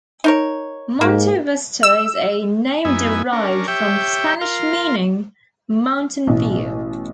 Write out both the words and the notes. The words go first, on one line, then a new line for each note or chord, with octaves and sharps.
Monte Vista is a name derived from Spanish meaning "mountain view".
D#4 A#4 C#5
G#2 A#3
E6
F#2 B3 D#4 E4 G#5
C#4 D4 A#4
G4 C#5 E5 G5
F4 A#4 F5 C6
A1 B2